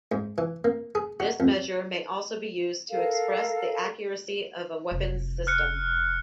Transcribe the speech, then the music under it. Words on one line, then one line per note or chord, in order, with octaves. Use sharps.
This measure may also be used to express the accuracy of a weapon system.
G#2
E3
A#3
G#4
F#4
F2
A4 A#4 F5
F1
F6 F#6 C#7